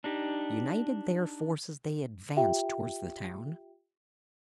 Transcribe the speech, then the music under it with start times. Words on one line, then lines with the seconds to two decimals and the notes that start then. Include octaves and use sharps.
Uniting their forces they advanced towards the town.
0.04 D4 D#4 G4
2.37 F4 G4 E5 G5